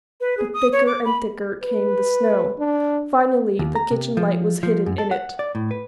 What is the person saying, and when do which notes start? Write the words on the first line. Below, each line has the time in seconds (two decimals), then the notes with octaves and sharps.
But thicker and thicker came the snow; finally the kitchen light was hidden in it.
0.21 B4
0.37 G#4
0.54 D#6
0.72 C#5
0.87 D6
1.05 B5
1.64 B4
2.60 D4
3.59 D#2
3.75 A#5
3.91 C3
4.17 F3
4.63 F3
4.86 F#2
4.98 A4
5.11 F#5
5.39 D5
5.55 A2
5.71 B4